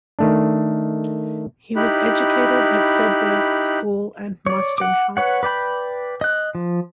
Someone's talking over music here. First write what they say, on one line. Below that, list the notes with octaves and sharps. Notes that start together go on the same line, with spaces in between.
He was educated at Sedbergh School and Mostyn House.
D#3 A3 D4
D#4 E4 G4 B5 F#6
C#5 D5
F#5 D6
B4 C#5 F#5
B4 D5 G5 B5
D#5 F#6
F3